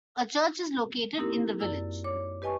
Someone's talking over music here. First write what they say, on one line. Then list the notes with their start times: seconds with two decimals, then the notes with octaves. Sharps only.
A church is located in the village.
1.18 A#3 C4 D#4 E4 G4 A#4
1.60 F#2 D5 E6
2.04 C#5 D6
2.42 G4 B4 D#5 G#5 A5 C#6